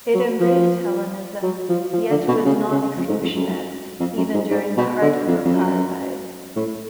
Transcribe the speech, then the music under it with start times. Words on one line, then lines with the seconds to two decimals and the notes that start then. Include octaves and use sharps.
It embraced Hellenism, yet was non-exclusionist, even during the heart of apartheid.
0.14 F#3
0.40 F3
1.42 F#3
1.69 F3
1.93 F3
2.10 D3
2.28 B2
2.45 C#3
2.71 C#3
2.97 F2
3.09 G#2
3.22 F2
3.35 F#2
4.00 F2
4.17 F#2
4.34 G#2
4.50 G#2
4.77 B2
5.02 D3
5.27 F2
5.45 F2
5.53 F#2
6.56 A2